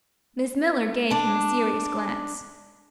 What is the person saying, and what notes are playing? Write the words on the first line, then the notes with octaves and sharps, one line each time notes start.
Miss Miller gave him a serious glance.
D4 A5